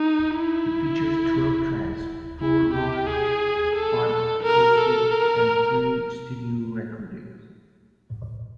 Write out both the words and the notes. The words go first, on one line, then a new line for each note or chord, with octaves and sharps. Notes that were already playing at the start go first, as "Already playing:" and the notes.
It features twelve tracks: four live, five acoustic, and three studio recordings.
Already playing: D#4
E4
E4
G4
G#4
A4
A#4
A4
A#4